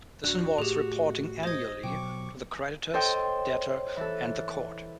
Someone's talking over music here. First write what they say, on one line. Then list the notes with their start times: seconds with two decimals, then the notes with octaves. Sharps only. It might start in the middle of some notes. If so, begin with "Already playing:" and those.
This involves reporting annually to the creditors, debtor and the court.
0.24 D1 D4 F#4 F#6
0.58 A2 G4 G#4
1.43 C5 D#5 G#6
1.84 B2 F#3 G5 C#6 D6
2.94 A4 C5 C#5 D#5 G5
3.97 E3 A4